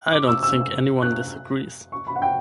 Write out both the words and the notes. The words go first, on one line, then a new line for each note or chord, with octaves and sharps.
I don't think anyone disagrees.
D6
E6
E6
F#6
C#6
B5
F#5
G5